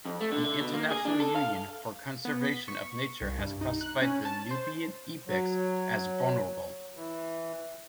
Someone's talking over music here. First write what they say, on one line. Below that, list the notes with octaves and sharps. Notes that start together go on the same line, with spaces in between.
The International Union for Conservation of Nature has classified the Nubian ibex as "vulnerable".
F2
A3
D3
D3
B2
A#3
G#4
D4
A4
F5
B3
B6
C#6
C2
G2
D#4
F#6
C#4
A5
C5
F#3
E3